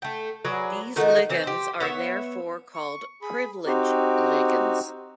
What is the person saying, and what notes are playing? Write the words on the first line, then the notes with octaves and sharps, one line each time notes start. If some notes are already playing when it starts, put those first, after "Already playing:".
These ligands are therefore called privileged ligands.
A3 G5
F#3 G#4 B4 D5
D#3 A3 D#4 F#4
E3 C4
G4 C5
B3 C#5 E5
C#6
G#4 B5
C4 D#4 F#4 G4